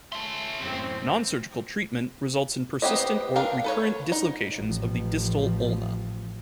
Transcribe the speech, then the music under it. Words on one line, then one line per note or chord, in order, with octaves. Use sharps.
Nonsurgical treatment results in persistent or recurrent dislocations of the distal ulna.
C#4 E5 A5 C6
F#2 A2 E3 C4
B3 C4 G4 C#5 D#5
D4 F4 A#4 F5 G5
A4 B4 C#5
D#4
A1 F3